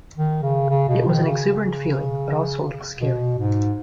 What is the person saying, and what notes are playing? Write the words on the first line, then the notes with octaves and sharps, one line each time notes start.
It was an exuberant feeling, but also a little scary.
D#3
C#3
C#3
B2
D#3
C#3
B2
G#2